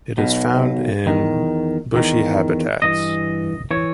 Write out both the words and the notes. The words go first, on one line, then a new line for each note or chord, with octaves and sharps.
It is found in bushy habitats.
B1 B2
E2 D#3
E2 D#3
G2 E3 D#5
E3 C#5